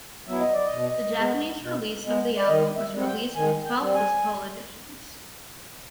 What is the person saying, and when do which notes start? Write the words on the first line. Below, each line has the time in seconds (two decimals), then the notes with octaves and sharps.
The Japanese release of the album was released with twelve physical editions.
0.27 F#3 B3 E4 E5
0.40 D#5
0.53 D5
0.65 D#5
0.72 B2
1.16 G#3 B3
1.60 B2
2.03 G#3 B3
2.37 D5
2.48 D#3 D#5
2.77 E5
2.92 G3 C4
3.01 F#5
3.07 G5
3.35 D#3 G#5
3.65 G5
3.80 G3 C4
3.95 G#5